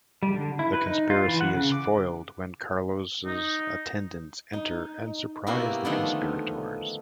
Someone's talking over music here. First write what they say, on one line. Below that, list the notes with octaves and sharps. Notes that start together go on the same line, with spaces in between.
The conspiracy is foiled when Carlos's attendants enter and surprise the conspirators.
G3
D3
E4
B4
D#4
F4
E3
F#5
C#3
D6
D#4
D#4
C3 A#3 B3 E4 F#4
D3 D#3 F3 A3 B3 D#4